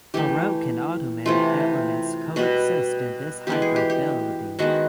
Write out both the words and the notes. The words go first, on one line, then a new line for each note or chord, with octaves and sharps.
Baroque and Ottoman elements coexist in this hybrid building.
E3 A3 G4
C3 E3 A3 F4
B2 G3 B3 F#4
E3 G#3 B3 G4
G#4
G4
G4
D#3 G#3 B3 F#4